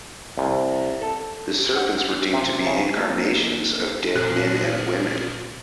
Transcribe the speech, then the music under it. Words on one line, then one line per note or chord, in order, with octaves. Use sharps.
The serpents were deemed to be incarnations of dead men and women.
C2
A4
F#5
C3
C#3
A#3 D4 D#4 A4
A#2 F3 D4 F#6